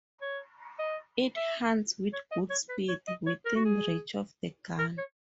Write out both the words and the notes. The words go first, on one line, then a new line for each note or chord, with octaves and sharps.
It hunts with good speed, within reach of the gun.
C#5
D#5
E5
C#5
D#5
C#5
B4
C#5
D#5
C#5
A#4
F#4
G#4
A#4
C#5